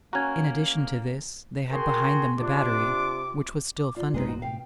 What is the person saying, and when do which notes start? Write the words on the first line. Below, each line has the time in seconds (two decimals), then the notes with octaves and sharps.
In addition to this, they had behind them the battery, which was still thundering.
0.13 A#3 C#4 F#4 A#5 G#6
1.72 F#4 G#4 A#4 G5 C6
2.39 C3 D4 F4 D6
3.78 D6
3.96 F4 D5
4.14 A1 F#2 A#2 G#3 B3 C4 D#4
4.28 F#4
4.42 A2 C3 F5 G5